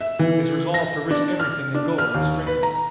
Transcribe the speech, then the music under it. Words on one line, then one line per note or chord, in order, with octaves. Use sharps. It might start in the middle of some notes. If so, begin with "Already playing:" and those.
His resolve to risk everything and go was strengthened.
E5
E3
A#6
D4
F6
D4
F6
D#2
B4
A#5